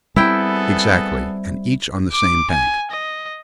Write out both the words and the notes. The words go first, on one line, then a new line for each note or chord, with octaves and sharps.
"Exactly, and each on the same bank."
G3 B3 C4 E4 G#4 A4 G5
D6
G#5
D#5